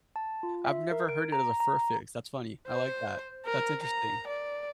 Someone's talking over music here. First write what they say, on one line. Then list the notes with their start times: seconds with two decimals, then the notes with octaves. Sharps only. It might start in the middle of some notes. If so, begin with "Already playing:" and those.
I've never heard it as a fur fix, that's funny, I like that, that's interesting.
0.16 A5
0.43 F4
0.65 E5
0.91 A#4
1.09 D7
1.32 A#5
1.60 A#5
2.67 C5
3.45 A#4
3.83 A#5
4.27 D5